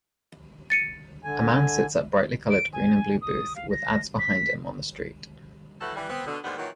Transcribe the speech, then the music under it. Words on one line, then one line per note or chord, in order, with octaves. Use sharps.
A man sits at brightly colored green and blue booth with ads behind him on the street.
A6 C#7 D#7
D3 G#5
D7
G#5
D#6
F5
A#6
B6
A2 E3 A3 F#4 A4 B4
E3 G3
B3 C4
B2 D3
D#2 G#2 D3 G3 B3 C5
A#2 D#3 E3 F#3